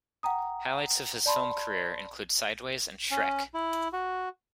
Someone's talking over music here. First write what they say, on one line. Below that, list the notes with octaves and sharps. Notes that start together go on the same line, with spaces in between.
Highlights of his film career include "Sideways" and "Shrek".
F#5 G5 A#5 D#6
D5 A5 B5 C6
C#4
E4
F#4